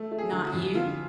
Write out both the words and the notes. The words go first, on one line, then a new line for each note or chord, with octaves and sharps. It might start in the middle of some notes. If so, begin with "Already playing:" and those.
"Not you?"
Already playing: A3
A3
G#4
D3
F#4
F2
D3 F4